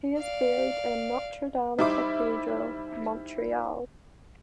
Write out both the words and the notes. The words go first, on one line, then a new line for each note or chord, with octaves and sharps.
He is buried in Notre Dame Cathedral, Montreal.
D5 F5
G3 D#4 E4 C5 D6